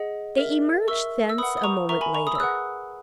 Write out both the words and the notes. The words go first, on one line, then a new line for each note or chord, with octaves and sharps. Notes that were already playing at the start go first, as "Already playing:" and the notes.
They emerged thence a moment later.
Already playing: G#4 D#5 F#5
A#4 E5
A#4 E5 C#6 E6
E6
B4 F#5 B5 D#6
D#6
A#5 C#6
A#4 E5 A#5 C#6
G#5 B5
A#5 C#6
B5 D#6
E6
G#4 B4 F#5 D#6 F#6